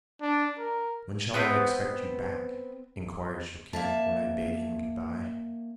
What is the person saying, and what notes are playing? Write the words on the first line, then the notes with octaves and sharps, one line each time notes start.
"When shall I expect you back?" inquired Choquette, when I bade him good-bye.
D4
A#4
B3 C4 B4 G6
A#3 E5 A5